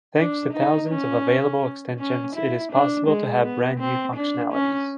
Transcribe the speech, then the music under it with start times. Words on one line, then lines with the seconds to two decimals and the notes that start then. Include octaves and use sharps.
Thanks to thousands of available extensions it is possible to have brand new functionalities.
0.18 D4
0.53 D#4
0.90 C#4
1.99 C#4
2.35 E4
2.72 D4
3.07 G#3
3.44 B3
3.79 C4
4.16 D4
4.53 C#4